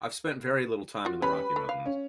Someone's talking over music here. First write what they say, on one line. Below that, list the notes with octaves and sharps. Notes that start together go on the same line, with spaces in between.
I've spent very little time in the Rocky Mountains.
F4 F#4
G3 C#4 B4 B5
A3
F5
C#4